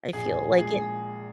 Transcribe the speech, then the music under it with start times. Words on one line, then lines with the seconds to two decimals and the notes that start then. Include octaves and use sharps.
I feel. Like, it
0.13 A#1 G#4
0.58 A#2 G#3 G#4